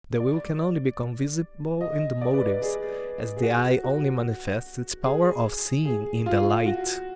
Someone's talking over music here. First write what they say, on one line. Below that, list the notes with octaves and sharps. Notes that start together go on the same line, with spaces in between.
The will can only become visible in the motives, as the eye only manifests its power of seeing in the light.
D5
D#5
D5
B4
D5
G#4
G#4
F#4
F#4
G#4
G#4
F4
F#4